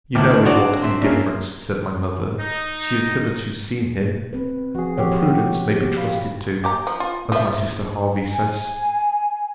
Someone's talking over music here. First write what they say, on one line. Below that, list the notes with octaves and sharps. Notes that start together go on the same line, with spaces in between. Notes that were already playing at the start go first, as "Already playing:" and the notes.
You know with what indifference, said my mother, she has hitherto seen him.--Her prudence may be trusted to, as my sister Hervey says.
D2 A2 D4 D#4 D5 D6
F#3 C4 F#4 D5 A#5
C4 C5 E5
A#3 C#4 D4
D#4
C4 B4
F3 F#4 G#4
F3 F#4 G4 C#5
G4
F5 B5
A#3 G4 A#5
F3
F4
F3 E5
G#5